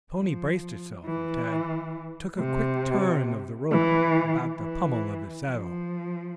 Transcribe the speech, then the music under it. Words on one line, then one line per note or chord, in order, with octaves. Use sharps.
The pony braced itself and Tad took a quick turn of the rope about the pommel of his saddle.
F3
E3
C3
E3
E3
F3